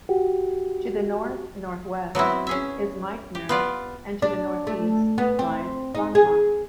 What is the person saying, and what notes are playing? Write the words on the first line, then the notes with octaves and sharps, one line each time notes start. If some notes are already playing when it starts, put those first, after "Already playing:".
To the north-northwest is Meitner, and to the northeast lies Langemak.
F#4 G4
F#3 B3 C4 E4
C#4 G#4 E5
G4
B3 F4 D5
D4
A3
B3
C4
D#4
G#4